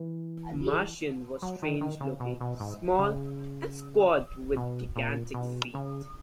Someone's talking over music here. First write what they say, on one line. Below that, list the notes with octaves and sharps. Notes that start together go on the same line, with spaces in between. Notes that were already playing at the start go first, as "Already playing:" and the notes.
The Martian was strange-looking: small and squat with gigantic feet.
Already playing: E3
F#3
D#3
D#3
C#3
B2
B2
G#2
C#3
B2
A#2
B2
C#3